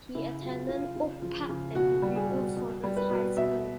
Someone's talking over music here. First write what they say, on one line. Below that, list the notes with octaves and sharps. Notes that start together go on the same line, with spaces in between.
He attended Oak Park and River Forest High School.
C#3 E4
F#3 F4
C#3 F4
C#3
F3
C#3
B2 F#4
G3
G#4
B2
B2
G3
B4
B2
B2 E5